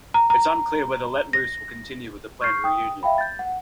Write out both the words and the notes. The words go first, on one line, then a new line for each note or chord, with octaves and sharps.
It's unclear whether Let Loose will continue with the planned reunion.
A#5
A#5
A#6
C#6 F6 G6 C7
G5 D#6
E5 F5 G5 B5
G6 A6
F#5